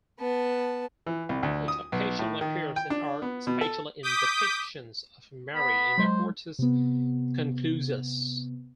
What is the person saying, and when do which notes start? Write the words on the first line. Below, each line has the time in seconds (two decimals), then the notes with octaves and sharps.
It occasionally appears in art, especially in depictions of Mary in the hortus conclusus.
0.19 B3 A5
1.07 E3
1.29 C2
1.43 D2
1.68 D#6
1.92 B1
2.19 A2
2.41 D#3
2.76 G5
2.90 D4
3.22 B3
3.47 B2
3.61 A4
4.03 D6 D#6 G6 B6
5.56 B3 B5
5.98 F#3 G#3 C5
6.59 C3 B3